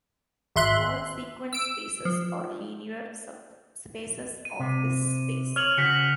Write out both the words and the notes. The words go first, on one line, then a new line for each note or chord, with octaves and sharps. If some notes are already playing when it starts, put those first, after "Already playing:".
All sequence spaces are linear subspaces of this space.
G#1 E5 C6 F#6
E6 D7
F3
D#7
C3
C#5 F6 F7 F#7
C#3 F#4 B6 C#7